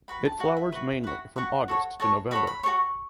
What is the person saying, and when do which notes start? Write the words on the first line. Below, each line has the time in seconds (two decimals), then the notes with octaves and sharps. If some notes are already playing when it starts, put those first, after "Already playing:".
It flowers mainly from August to November.
0.08 F#4 B4 B5
0.25 A5
0.40 F#4 B4 F#5
0.57 E5
0.72 F#4 B4
1.04 F#4 B4
1.36 F#4 B4 F#5
1.68 F#4 A4 C#5
2.00 F#4 A4 C#5 A5
2.31 F#4 A4 C#5 B5
2.47 B5
2.63 F#4 A4 C#5 C#6